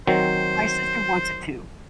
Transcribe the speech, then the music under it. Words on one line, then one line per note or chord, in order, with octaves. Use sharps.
My sister wants it too.
D#3 F#3 C4 C5